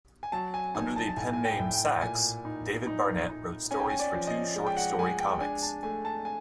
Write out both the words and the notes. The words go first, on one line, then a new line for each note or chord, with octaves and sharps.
Under the pen name "Sax", David Barnett wrote stories for two short story comics.
G#5
F#3 A5
G#5
D#4 G#5
A5
A5
A2 G#5
G#5
G5
A2
G5
A#2 G#5
D#4
D#4
D#4
C#4 G#5
G5
G#5
D5
F3
D#5
G#3
G5
F#5
G#3 G#5
G5
D4 G#5
A5
A3 G#5
A5
G#5